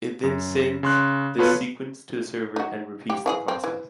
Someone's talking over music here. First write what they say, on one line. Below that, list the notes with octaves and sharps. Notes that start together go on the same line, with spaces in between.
It then sends this sequence to the server, and repeats the process.
F#2
C#3 C6 F#6
B3 F4 F#4 A4 B4 C#5
D#4 F#4
G4
E3 F4 G#4
C4
E3